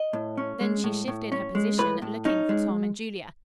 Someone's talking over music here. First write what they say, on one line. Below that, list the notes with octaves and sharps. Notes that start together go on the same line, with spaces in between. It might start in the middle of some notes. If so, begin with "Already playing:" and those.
Then she shifted her position, looking for Tom and Julia.
Already playing: D#5
A2
C#4
G#3
A2
A2
C#4
G#3
A2 B4
A2
C#4 D#4
G#3